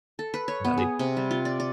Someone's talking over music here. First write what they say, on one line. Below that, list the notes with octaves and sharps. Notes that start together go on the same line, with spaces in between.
e now they
A4
B4
C#5
B3
G#4
C3
G3
F4
D5
D5